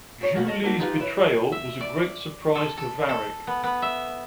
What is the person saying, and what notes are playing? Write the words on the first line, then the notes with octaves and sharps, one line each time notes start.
Zhu Li’s betrayal was a great surprise to Varrick.
G#2 C#5
D2 B2 A#3 F#4
A3 D#5
A3 A#3 C4 D#4 F#4
G#3 D#4 F4 G4 B4 F5
E4 B4 C#5
E5
D5
A4
A4
A4
B3
B3
E5